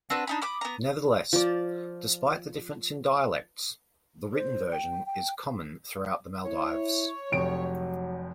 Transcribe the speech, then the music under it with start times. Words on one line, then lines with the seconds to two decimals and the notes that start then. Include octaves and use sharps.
Nevertheless, despite the difference in dialects, the written version is common throughout the Maldives.
0.10 C4 D4 F#4 B4
0.27 D4 D#4 B5
0.42 B5 D6 D#6
0.61 B3 A#5
1.33 F3 D5
4.33 C5
4.72 G5
5.06 G5
6.46 E4 C#5
7.32 F1 F2 F#3 D7